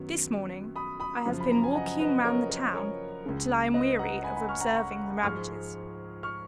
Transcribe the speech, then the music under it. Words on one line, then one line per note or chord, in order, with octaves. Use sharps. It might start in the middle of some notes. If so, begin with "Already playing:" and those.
This morning I have been walking round the town, till I am weary of observing the ravages.
Already playing: F#2 D#3 F#3 B3
B5 D#6
B5 D#6
F#2 C#3 F3
B5
A#5
G#5
D#5 F#5
B4 D#5
A#4 C#5
A#4 C#5
A#4 C#5
C#2 C#3 G#3
B4 D#5
F#5 A#5
G#5 B5
G#5 B5
C#6 F6
F#5 A#5
B5
A#5 C#6
G#2 F3 G#3 C#6 F6
C#6 F6